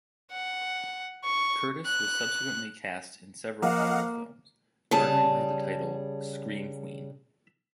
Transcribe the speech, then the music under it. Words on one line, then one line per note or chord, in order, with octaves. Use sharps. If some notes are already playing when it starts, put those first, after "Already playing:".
Curtis was subsequently cast in several horror films, garnering her the title, "scream queen".
F#5
C#6
F#6
F3 A#3 D#5 F5 F#5
C#3 G3 G#4 A5